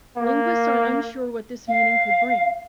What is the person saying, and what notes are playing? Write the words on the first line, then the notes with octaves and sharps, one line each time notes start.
Linguists are unsure what this meaning could bring.
A#3
F5